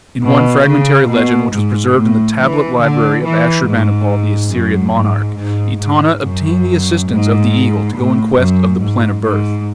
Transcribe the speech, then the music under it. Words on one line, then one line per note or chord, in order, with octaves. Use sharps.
In one fragmentary legend which was preserved in the tablet-library of Ashur-banipal, the Assyrian monarch, Etana obtained the assistance of the Eagle to go in quest of the Plant of Birth.
B2
C#3
B2
G#2
A2
E3
D3
E3
G#2
F#2
G#2
G#2
G#2
F#2
G#2
A2
F#2
G#2
G#2